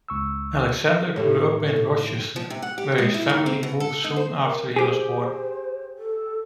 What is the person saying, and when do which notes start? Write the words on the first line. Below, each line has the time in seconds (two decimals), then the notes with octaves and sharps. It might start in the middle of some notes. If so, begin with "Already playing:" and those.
Alexander grew up in Rochester, where his family moved soon after he was born.
0.08 C#2 C#6 E6
1.16 D#2 A2 G4 A4 C#5
1.68 A4
2.36 F3
2.50 C3
2.62 F#5
2.78 G4
2.98 G#3
3.14 E4
3.29 D#3
3.46 C4
3.63 B2
3.80 A4
4.04 D#4
4.16 C5
4.43 A#4
4.76 G4 G#4 C5
5.98 A4